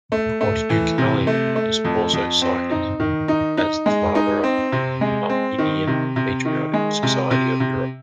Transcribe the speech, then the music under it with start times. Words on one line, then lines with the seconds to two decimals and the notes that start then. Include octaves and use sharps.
Portukalian is also cited as the father of the Armenian Patriotic Society of Europe.
0.12 A3
0.41 A3
0.70 E3
0.98 C3
1.27 A3
1.56 A3
1.84 F2
2.13 F2
2.42 C4
2.71 D#4
3.00 D#3
3.28 D#4
3.57 D#4
3.86 G#3
4.15 D#4
4.44 C4
4.72 C3
5.01 G#3
5.30 C4
5.58 D#3
5.87 C3
6.16 C3
6.45 D#3
6.73 G#3
7.03 C3
7.31 C3
7.60 C3